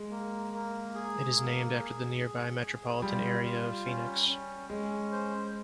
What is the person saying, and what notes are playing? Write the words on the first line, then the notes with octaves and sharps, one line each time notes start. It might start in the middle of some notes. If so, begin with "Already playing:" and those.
It is named after the nearby metropolitan area of Phoenix.
Already playing: G#3
A#3
A#3
G#4
A#3
G#4
G#4
G#4
G3 F4
F4
C#4
C#4
G#3 C#4
C5